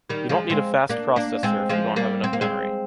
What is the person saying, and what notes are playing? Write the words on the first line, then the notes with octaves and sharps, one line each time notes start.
You don’t need a fast processor if you don’t have enough memory.
D#3 G3
F3 G#3
G#3 C4
A#3 D4
A#3 D4
G#3 C4
F3 G#3
G3 A#3
C4
A#3
G#3 C4